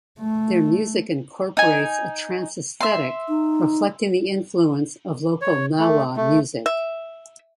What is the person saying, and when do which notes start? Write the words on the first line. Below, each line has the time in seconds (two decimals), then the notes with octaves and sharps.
Their music incorporates a trance aesthetic, reflecting the influence of local Gnawa music.
0.20 A3
1.57 D#4 G#5
2.81 E5 C6
3.28 D#4
5.42 C#5
5.78 A3
6.16 A3
6.66 E5